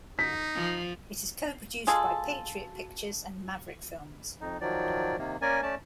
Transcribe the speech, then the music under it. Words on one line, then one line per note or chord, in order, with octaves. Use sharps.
It is co-produced by Patriot Pictures and Maverick Films.
D#4 B6
F3
G#3 F4 G#4 A4
F2 D#4
D#3 F3 F#3 D5
C3 D#3 A#3
A#3 C#4 A#4 D5 G#5
A3 C#4 D5 A5